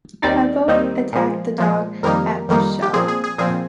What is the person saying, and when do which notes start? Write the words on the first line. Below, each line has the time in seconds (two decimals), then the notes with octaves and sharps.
Havoc attacked the Dog at the show.
0.22 D#2 D#3 G3 C4 D#4 D5
0.68 D#2 D#3 G3 C4 D#4
1.13 A#2 F3 G#3
1.58 A#2 F3 G#3
2.03 F2 D#3 G3 A#3 D#4 A#4
2.48 F2 D#3 G3 A#3 D#4
2.82 G4
2.94 A#2 F3 C4 G#4
3.08 G#4
3.24 G#4
3.38 A#2 F3 C4 G#4